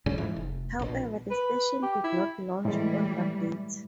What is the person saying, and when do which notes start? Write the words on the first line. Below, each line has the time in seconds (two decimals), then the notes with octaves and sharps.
However, the station did not launch on that date.
0.06 A2 C#3 G3 C#4
0.18 F2 G#2 E3
0.36 F1
0.79 A#1 B2
1.31 B4
1.83 G4
2.04 E4
2.65 A2 E3 G3 G#3